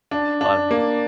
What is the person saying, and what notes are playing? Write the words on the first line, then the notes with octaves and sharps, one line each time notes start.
a lotta hair.
D4
D4
A#3